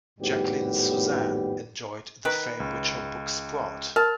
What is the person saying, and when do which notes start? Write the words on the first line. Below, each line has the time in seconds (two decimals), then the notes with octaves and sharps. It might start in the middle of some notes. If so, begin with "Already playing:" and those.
Jacqueline Susann enjoyed the fame which her books brought.
0.20 G#1 F2 A2 G3 B3 G4
2.25 D#3 B4
2.60 C#2
3.96 A#4 A5 F6